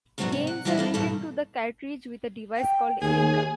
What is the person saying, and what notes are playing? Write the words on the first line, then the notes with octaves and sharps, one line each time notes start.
Games are written to the cartridge with a device called "linker".
F2 G#2 F#3 B3 D4 F#4
C3
F#5
E3 G3 D4 E4 D#5 E5
E4 F4 A4
G2 B2 D#3 E3 A4
G5
D#2 G#4 G#5